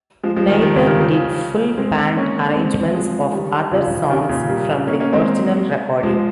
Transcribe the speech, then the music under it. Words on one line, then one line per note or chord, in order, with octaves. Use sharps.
Neither did full-band arrangements of other songs from the original recording.
F3 G#3
F3 G#3
D#3 G3
D#3 G3
C#3 F3
C3 D#3
C#3 F3
G#3 C4
A#3 C#4
G#3 C4
F3 G#3
D#3 G3
C#3 F3
C3 D#3
A#2 C#3
G3 A#3
A#3 C#4
A#3 C#4
G#3 C4
F3 G#3